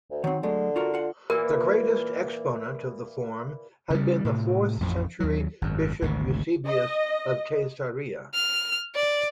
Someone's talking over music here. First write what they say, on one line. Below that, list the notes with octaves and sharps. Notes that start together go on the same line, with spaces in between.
The greatest exponent of the form had been the fourth-century bishop Eusebius of Caesarea.
D2
D#3 F#3 C4
D3 F#3 G#3 A3
F4 F#4 A#4
F4 F#5
A#2 E3 A#4
C#3 G3
A2 C3
A1 F2
D#2 F#3
G#1 F#2
G#1 D2 C3
D#5
F6
D5